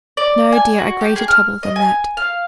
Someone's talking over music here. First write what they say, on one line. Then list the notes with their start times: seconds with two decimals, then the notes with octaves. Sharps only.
'No, dear; a greater trouble than that.
0.17 D5
0.52 G#5
0.78 F#4
1.01 G4
1.16 G#4
1.28 F6
1.63 D#5
1.76 G#5
2.17 F5